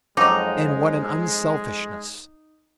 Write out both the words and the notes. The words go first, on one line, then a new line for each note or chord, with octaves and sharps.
And what an unselfishness!
F2 F#3 G#3 D#4 D6